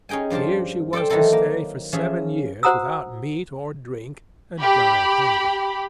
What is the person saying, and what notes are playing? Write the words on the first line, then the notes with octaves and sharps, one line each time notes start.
Here she was to stay for seven years without meat or drink, and die of hunger.
C#4 D#4 G#4 G5 G#5
G2 F3 C5 D5 A5
A4 C5 D5 G5 A5
D#3 E3 F#3 E4 A4 C5
A#3
E3 F3 C#4 G#4 E5
F#4 C5 F#5 A#5 D#6 E6
G4 B5